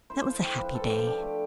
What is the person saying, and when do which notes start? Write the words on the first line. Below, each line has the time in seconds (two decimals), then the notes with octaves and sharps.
That was a happy day.
0.10 E4 C5
0.26 F3
0.42 C4
0.58 F3 B4
0.75 C4 A4
0.90 F3 G4
1.07 D4 G4
1.22 A3